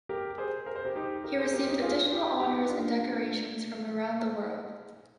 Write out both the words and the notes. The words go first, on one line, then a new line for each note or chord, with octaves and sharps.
He received additional honors and decorations from around the world.
G4 A#4
G#4 C5
A#4
C5
G4 A#4
D#4 G4
G4 A#4
G#4 C5
G4 A#4
D#4 G4
F4 G#4
D#4 G4
D#4 G4
D4 F4